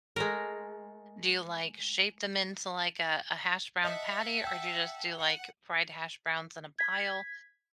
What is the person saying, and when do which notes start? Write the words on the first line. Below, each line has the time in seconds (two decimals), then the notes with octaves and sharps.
do you, like, shape them into, like, a a hash brown patty, or do you just do, like, fried hash browns in a pile?
0.16 G#3 A3 A#4
3.84 D#5 E5 F#5 A5
4.44 G5 E6
5.19 F#5
6.79 G#6 B6